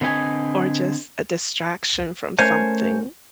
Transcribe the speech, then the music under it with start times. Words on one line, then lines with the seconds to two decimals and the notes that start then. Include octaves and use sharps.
or just a distraction from something
0.01 D3 C4 B4 D#5 G#5
2.39 A3 C#4 A#4 C5 C#5 G#5